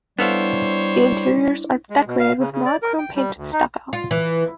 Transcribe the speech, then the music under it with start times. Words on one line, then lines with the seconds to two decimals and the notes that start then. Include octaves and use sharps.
The interiors are decorated with monochrome painted stucco.
0.19 G3 B3 D4 E4 A4 C5 C#5 F5
1.90 G#3
2.07 B2
2.20 F5
2.39 C#3
2.53 C#3
2.66 D5
2.82 A#4
2.99 G5
3.15 G3
3.37 D2
3.53 D#4
3.93 F4
4.11 E3